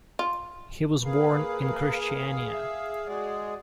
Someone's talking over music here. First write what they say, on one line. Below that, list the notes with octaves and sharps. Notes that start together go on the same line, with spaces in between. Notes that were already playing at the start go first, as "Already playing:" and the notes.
He was born in Kristiania.
F4
A#3 G#4 B4 F5
E5
G#3 F#4 G#4 D5